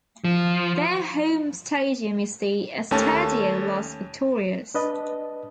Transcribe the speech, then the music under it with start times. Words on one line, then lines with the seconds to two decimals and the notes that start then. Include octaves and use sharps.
Their home stadium is the Estadio Las Victorias.
0.24 F3
2.91 D#2 A3 C#4 A5
4.75 D4 B4 D#5 A5